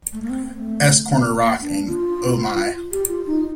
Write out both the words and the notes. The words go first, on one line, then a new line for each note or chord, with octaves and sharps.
"S-Corner Rock", and "Oh My".
A3
A#3
C4
A3
A#3
D4
F4
G4
F4
D#4